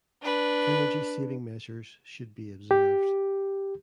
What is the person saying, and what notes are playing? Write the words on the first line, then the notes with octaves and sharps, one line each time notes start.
Energy saving measures should be observed.
D4 B4
G4